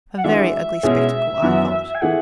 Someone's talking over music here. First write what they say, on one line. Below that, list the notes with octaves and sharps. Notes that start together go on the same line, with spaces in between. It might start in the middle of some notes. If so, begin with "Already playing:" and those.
A very ugly spectacle, I thought.
F#5
E3 G#3 D4 F#4 E5
B2 G#3 C#4 E4 G#4
F#2 E3 B3 F#4
G#5
E3 A3 E4 G#4 F#5